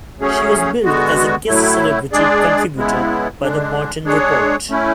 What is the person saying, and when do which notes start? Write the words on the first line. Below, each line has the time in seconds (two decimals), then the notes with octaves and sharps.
She was billed as a "Guest celebrity contributor" by "The Morton Report".
0.20 F#3 A3 C#4 G#4 C#5
0.84 D3 G#3 B3 F#4
1.48 A2 F#3 A3 E4
2.12 G#3 D4 G#4 D5
2.76 C#3 G#3 B3 E4
3.40 D3 G#3 D4
4.04 G#3 D4 G#4 C#5
4.69 A3 C#4 E4